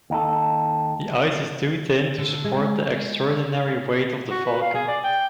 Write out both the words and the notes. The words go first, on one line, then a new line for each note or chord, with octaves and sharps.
The ice is too thin to support the extraordinary weight of the Falcon.
D#2 D#4 A4
D3
G#3
G#3
F#4
B4
F5
G#4
D5
G5